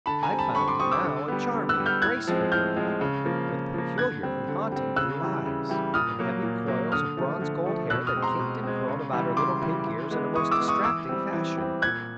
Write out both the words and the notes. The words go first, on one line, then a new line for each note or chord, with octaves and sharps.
I found now a charming, graceful girl, with peculiarly haunting blue eyes, and heavy coils of bronze-gold hair that kinked and curled about her little pink ears in a most distracting fashion.
D3 A5 B5
G#5 A#5
G3 C4
A5 B5
D3 B5 C#6
C6 D6
G3 C4 C#6 D#6
D6 E6
D3
G3 B3
D3
E6 F#6
G3 B3
F6 G6
A2 F#6 G#6
F3 G#3 C4
A2 F6 G6
F3 G#3 C4
C#3
F3 A#3
C#3
F3 A#3
D3 F#6 G#6
G3 C4
D3
G3 C4
C#3 E6 F#6
E3 G3
C#3
E3 G3
A#2 D#6 F6
F#3 A#3
A#2
F#3 A#3
D3 D#6 F6
F3 A3
D3
F3 A3
B2 E6 F#6
D#6 F6
G#3 C4
A#5 C6
B2
G#3 C4
C#3
E3 G3
C#3 C6 D6
E3 G3
E3
G#3 B3
E3 C#6 D#6
D6 E6
G#3 B3
C#6 D#6
E3 D6 E6
G3 C4
E3
G3 C4
A#2 F#6 G#6